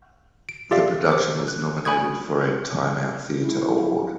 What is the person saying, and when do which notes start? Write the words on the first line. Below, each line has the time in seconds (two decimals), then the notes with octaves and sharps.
The production was nominated for a Time Out Theatre Award.
0.49 D7
0.71 F4 G4 A4 D5 E5 F5
1.09 A#4 C5 D6
1.48 F#6
1.85 G#5 B5 C#6 D#6 G#6
3.40 E4